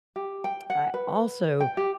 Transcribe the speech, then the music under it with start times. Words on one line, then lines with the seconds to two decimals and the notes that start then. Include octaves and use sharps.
I also
0.16 G4
0.44 G5
0.70 F#5
0.94 B4
1.60 G5
1.77 G4